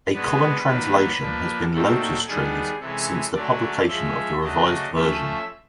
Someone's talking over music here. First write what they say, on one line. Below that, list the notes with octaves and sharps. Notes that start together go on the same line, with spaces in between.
A common translation has been "lotus trees" since the publication of the Revised Version.
B2 G#3 B3 D4 B4
D#3 F#3 A#3 D4
F3 A#3 D4
A#2 F#3 A3 C4 D#4 A4
D#3 G3 B3 D4 G#4
C3 E3 G#3 C#4 A4
D3 F#3 A3 C#4 D5
F3 G#3 C#4 E5
C#3 F#3 A3 D4 D#5
F3 A3 C#4 E5